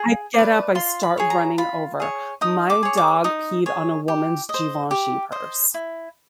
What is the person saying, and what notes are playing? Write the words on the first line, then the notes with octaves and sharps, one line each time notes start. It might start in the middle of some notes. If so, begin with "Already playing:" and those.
I get up, I start running over. My dog peed on a woman's Givenchy purse.
Already playing: G#4
B4 D5
F4 C6
B5
G#4 C#5
A#5
F4 B5
G#4 C#5
D#4 D#6
D6
G#4 C#5
D6
D#4 D#6
G#4 C#5
G4
D#5
C5
G4
C5 D#5
E4